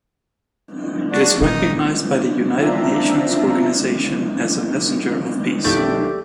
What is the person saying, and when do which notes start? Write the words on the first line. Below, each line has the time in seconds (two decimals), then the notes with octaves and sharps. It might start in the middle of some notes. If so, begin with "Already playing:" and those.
It is recognized by the United Nations Organization as a messenger of peace.
1.12 D4 F#4 D5
1.41 A#2 D#3 D#4
2.59 C4 D4 F4 E5 A#5
5.64 B1 D#3 A3 G4 D5 G6